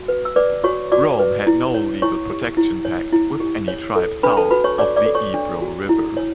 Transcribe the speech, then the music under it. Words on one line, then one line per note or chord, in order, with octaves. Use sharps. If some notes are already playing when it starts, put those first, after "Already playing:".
Rome had no legal protection pact with any tribe south of the Ebro River.
Already playing: F#4
B4
E6
B4 D5 D6
F#4 C#5 C#6
F#4 D5 D6
B4
E4
C#5
E4 C#5 C#6
G4
E4
C#5
E4
G4
C#5
A4
D4 B4 B5
A4 A5
F#4 B4 B5
C#5 C#6
C#5 D5 D6
D5 D6
A4
C#5 C#6
D4
F#4
E4
C#5